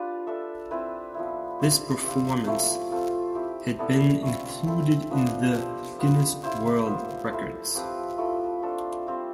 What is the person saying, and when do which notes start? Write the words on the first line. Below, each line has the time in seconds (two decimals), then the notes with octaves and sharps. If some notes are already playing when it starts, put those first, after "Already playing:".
This performance had been included in the Guinness World Records.
Already playing: D4 F4 G4 B4
0.27 D4 A4 E5
0.71 C4 E4 B4
1.14 F3 B3 E4
1.59 E4 G4 C5
2.03 C4 G4 D5 F5
2.47 F3 A3 E4 G4
2.91 C4 F4 A4 C5
3.35 C4 E4 G4
3.79 B3 E4 A4 D5
4.22 A3 C4 F4
4.66 C4 E4 A4
5.11 F3 B3 D4
5.55 F3 C4 G4
5.99 B3 F4 B4
6.42 E4 G4 C5 F5
6.86 B3 F4 C5 E5
7.30 E4 A4 C5
7.75 F3 C4 G4 B4
8.18 F3 A3 E4 A4
8.62 D4 A4 C5
9.07 G3 C4 F4